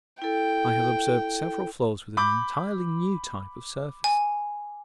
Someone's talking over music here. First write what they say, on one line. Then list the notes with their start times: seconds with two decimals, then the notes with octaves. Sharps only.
I have observed several floes with an entirely new type of surface.
0.22 E4 A4 G5
2.17 B5 D6 G6
4.04 G#5